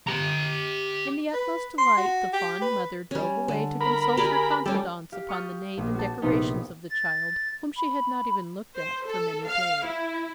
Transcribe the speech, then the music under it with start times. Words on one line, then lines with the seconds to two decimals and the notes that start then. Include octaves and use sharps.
In the utmost delight the fond mother drove away to consult her confidants upon the name and decorations of the child, whom she had not even looked at for many days.
0.07 G4 A#5
1.34 B4
1.78 C6
1.97 F#4
2.33 G4
2.62 B4
3.11 G3 C#4
3.48 D3
3.81 A#4 B5
4.17 G4 G#4 D5
4.66 G3 C#4 A4
5.12 G4 F5
5.29 C#6 D#6 F6 G6 A6
5.78 A#1
5.95 F#4 A5
6.22 A#1 C3 B3 C4 D#4 G4
6.90 A6
7.77 B5
8.75 C5
9.04 A4
9.46 F5
9.84 E4